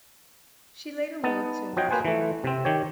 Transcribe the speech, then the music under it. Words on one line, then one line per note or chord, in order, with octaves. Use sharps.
She later moved to Maizuru.
B3 D#4 A5
F3 F#4 C#5 D#5 G5
A#3 B4 C5 G#5
E3 A3
C3 C4
D#3 G4 C#5